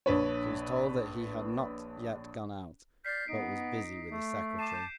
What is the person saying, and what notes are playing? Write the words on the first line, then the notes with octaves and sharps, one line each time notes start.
She was told that he had not yet gone out, but was busy with his secretary.
A#1 D4 B4 C#5
D5 F6 G6 B6 C7
B3 D#4 D7
A3
A5 D6 C7 D#7 E7
G6